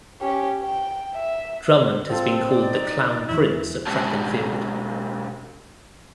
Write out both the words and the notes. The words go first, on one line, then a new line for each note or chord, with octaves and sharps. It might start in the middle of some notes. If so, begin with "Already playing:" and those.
Drummond has been called the "Clown Prince" of Track and Field.
C#4 G4
G5
E5
C4 F4 A4
D#4 D5
E2 E3 E4
B2 G#3 C#4 G4 C#5 A5